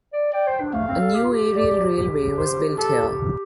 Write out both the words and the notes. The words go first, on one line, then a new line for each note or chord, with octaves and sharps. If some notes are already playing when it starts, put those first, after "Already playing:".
A new aerial railway was built here.
D5
D5 G5
C5
D4
A3 F5
C4
A4
G4
F4
G4
D5
G4
C5
G4 A4